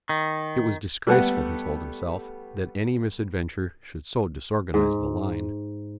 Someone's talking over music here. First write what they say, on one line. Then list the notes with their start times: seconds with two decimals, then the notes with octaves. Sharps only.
It was disgraceful, he told himself, that any misadventure should so disorganise the line.
0.09 D#3
1.07 G3 A3 B3 A4 B4 F#5
4.74 G#2